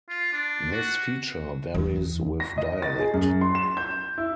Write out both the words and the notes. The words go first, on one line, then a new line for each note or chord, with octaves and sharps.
This feature varies with dialect.
F4
D4
F#4
E2
A#6
D#5
A6
G#4
F#2
C6
E7
G6
E4